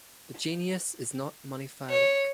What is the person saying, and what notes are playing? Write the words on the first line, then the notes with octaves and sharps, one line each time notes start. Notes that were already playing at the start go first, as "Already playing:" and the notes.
This genus is not monophyletic.
C#5